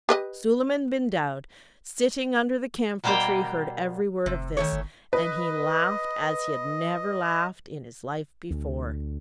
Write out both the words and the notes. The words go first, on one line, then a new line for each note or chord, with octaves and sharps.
Suleiman-bin-Daoud, sitting under the camphor-tree, heard every word of this, and he laughed as he had never laughed in his life before.
G4 B4 D#5
B2 G3 A#3 C5 F5 G5
F1 C3
D#3 A3 C#5
G1
B4 D#5
D2